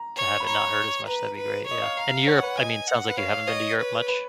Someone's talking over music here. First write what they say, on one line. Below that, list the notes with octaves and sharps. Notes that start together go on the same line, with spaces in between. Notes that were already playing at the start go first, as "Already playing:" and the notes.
to have it not hurt as much, that'd be great, yeah. And Europe I mean, sounds like you haven't been to Europe much?
Already playing: A#5
C#5
B5
C#5 A#5
B4 A#5
B4
C#5 D#5
F5
F5 A#5
C#5 F#5
B4
D#5 G#5
F#5
B4
C#5 F5
C#5 D#5
B4
B4